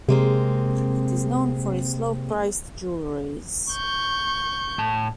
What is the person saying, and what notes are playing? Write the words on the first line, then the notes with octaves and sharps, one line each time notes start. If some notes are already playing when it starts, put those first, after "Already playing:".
It is known for its low-priced jewelries.
C3 G#3 A#3 C4
C#6 G6
A2 A5